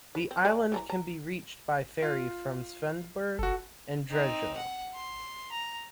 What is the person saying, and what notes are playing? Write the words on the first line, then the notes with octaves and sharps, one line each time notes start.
The island can be reached by ferry from Svendborg and Drejø.
B4
C4
G#3 D5 G#5
E3 A4 A#5
A#5
F4
F#1 F#4 A4
C4 D#4
F#5
C6
A#5